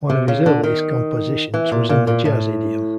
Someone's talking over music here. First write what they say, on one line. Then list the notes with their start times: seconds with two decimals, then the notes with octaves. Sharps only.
One of his earliest compositions was in the jazz idiom.
0.10 C3
0.28 C#3
0.46 D3
0.63 D#3
1.54 E3
1.72 A#2
1.89 A#2
2.07 A#2
2.25 A2